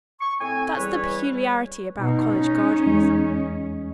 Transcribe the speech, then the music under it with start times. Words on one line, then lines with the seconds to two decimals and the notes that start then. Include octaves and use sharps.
That's the peculiarity about college gardens.
0.20 C#6
0.41 A2 C4 G#5
0.75 E2 G3 B4 C#5
2.00 B2 D#4
2.32 C#4
2.86 E2 G#3 D#5